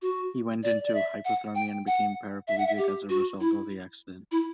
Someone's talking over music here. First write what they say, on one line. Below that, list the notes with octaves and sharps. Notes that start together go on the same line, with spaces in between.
He went into hypothermia and became paraplegic as a result of the accident.
F#4
D5
D5
E5
F#5
G5
F#5
E5
F#5
E5
G4
F#4
E4
E4